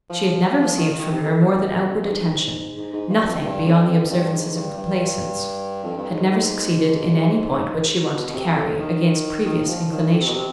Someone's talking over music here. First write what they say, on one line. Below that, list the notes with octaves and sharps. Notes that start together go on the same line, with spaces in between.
She had never received from her more than outward attention, nothing beyond the observances of complaisance; had never succeeded in any point which she wanted to carry, against previous inclination.
F3
F3
D#3
D#3
C3
D3
B2
G2
G#2
G#2
G#2
G2
F2
G#2
G2
F2
F2
G2
G#2
G2
G2
F2
G2
G#2
G#2
B2
B2
C3
D3
D#3
D#3
F3
D#3
D3
C3
B2
C3